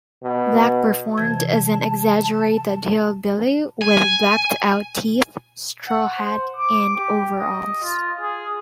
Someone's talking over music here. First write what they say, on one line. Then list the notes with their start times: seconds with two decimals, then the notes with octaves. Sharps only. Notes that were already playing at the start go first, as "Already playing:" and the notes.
Black performed as an exaggerated hillbilly with blacked-out teeth, straw hat and overalls.
0.23 B2
1.18 C3 E3 A5 G#6
3.82 G#5
5.88 F#5
6.19 C5
6.56 D6
6.97 G4
7.39 D#5
7.83 F4
8.21 G#4